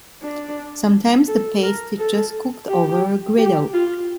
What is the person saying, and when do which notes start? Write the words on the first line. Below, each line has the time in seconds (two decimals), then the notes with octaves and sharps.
Sometimes the paste is just cooked over a griddle.
0.22 D4
1.28 A4
1.63 A#4
1.98 A4
2.69 G4
3.38 G4
3.74 F4